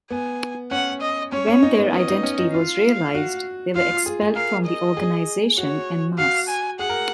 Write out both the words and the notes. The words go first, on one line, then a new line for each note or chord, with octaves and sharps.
When their identity was realised they were expelled from the organisation "en masse".
B3 G#5
C#4 F#5
D#5
C#4 C#5
C#4
D#4
B3
C#4 D#5
D#4
C#4
D#4
F4 F5
F#4
F4 F5
F4
G#4
G#4
A#4 F5
D#5
G#4
F#4 C#5
F#4 F5
G#5
G#4 F#5
A#4